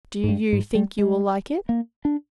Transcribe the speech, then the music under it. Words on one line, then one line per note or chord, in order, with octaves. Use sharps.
"Do you think you will like it?"
G#2
G2
G#2
G3
G#3
A#3
D4